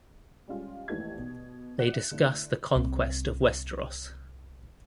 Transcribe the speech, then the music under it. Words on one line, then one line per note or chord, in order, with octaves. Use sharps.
They discuss the conquest of Westeros.
G3 G#3 C#4 F4
G#1 D#2 E3 A3 D#4 G#6
B2
F#4 D5 F#5 F#6 C#7 E7
E5
D3 A3 E4
C2 C4